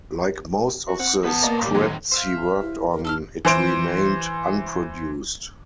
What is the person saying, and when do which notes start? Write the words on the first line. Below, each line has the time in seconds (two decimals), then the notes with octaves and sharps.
Like most of the scripts he worked on, it remained unproduced.
0.88 F#4
0.99 C4 F#5
1.24 E2 B3 B4 A5
1.42 A#3 D5 D#5 A#5
1.63 A2 D#3 G4
1.75 G#2 D3 F#3
2.11 C5 E5 F5
2.61 E4
2.91 A#4
3.05 D#4 A4 E6 F6
3.45 E3 C5 D7